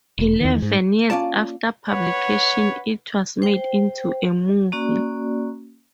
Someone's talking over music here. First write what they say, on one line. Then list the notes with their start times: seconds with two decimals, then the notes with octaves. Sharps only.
Eleven years after publication it was made into a movie.
0.19 E1
0.41 E2 D#3
0.62 G#2
1.10 A#3 C#4 F4 D5 A5
1.89 B4 C#5 F#5
3.42 C5 G5
4.72 A#3 C#4 F#4 D5